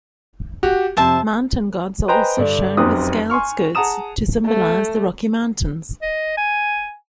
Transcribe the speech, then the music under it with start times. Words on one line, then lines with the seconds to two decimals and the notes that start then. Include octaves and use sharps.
Mountain gods are also shown with scaled skirts to symbolise the rocky mountains.
0.63 F#4 G4
0.97 F2 C3 C5 E5 A5
2.08 B4 C5 D#5 G5 G#5 A#5
2.38 G2 D3 D5
2.77 F1 F#2 C4 G4 D#6 F#6
3.30 G#5 C6 C#6 F6
3.75 G#4 F#5 A5 A#5 D#6 E7
4.46 A3
6.02 D#5
6.37 G#5